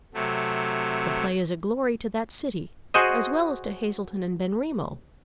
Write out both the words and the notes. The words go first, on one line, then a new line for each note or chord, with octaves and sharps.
The play is a glory to that city as well as to Hazelton and Benrimo.
C3 F#3 A3
F#4 G#4 C5 D#5